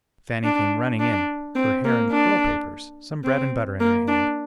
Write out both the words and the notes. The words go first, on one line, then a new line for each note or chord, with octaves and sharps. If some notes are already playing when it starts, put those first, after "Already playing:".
Fanny came running in, her hair in curl-papers, some bread and butter in her hand.
D4
D4
C4
A#3
D4
C4
A#3
D4